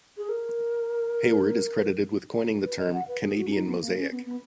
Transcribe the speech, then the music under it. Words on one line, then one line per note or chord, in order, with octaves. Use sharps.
Hayward is credited with coining the term "Canadian mosaic".
G#4
A#4
B4
D#5
F#5
B4
G#4
F#4
C#4
D#4
B3
A#3
C#4
B3
B3